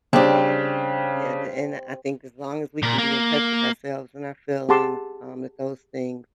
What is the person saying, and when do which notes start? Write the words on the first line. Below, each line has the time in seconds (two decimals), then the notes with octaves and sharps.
Um, yeah, the and the I think as long as we can be in touch with ourselves and our feelings, um, that those things,
0.13 C#3 G3 C4 D4 G4
2.82 A#2 A#4
2.98 A#3
4.69 G4 G#4 F#5 A5 C6 D6